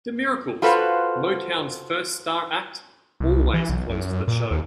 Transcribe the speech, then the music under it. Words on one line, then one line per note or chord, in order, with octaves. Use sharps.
The Miracles, Motown's first star act, always closed the show.
F4 F#4 A4 B4 C5 F5
C2
E3
B1
F#2
F#2
A#2
D#2